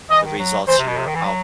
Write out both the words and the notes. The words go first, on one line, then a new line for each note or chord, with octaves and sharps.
the results you're out
E3 D#5
D#3
F#3
E3 C5
C3
B2
C3
D#3
E3
F#3